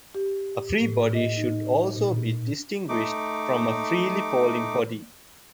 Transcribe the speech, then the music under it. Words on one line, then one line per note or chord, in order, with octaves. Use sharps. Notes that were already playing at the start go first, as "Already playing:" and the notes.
A "free body" should also be distinguished from a "freely falling body".
G4
A2
D#5
D#4
A#2
A3 D#4 D6